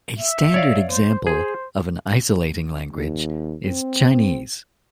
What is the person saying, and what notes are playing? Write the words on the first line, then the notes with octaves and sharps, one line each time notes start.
A standard example of an isolating language is Chinese.
E5
C#5 D5 F5
C5
G#4 C5
D#2
C4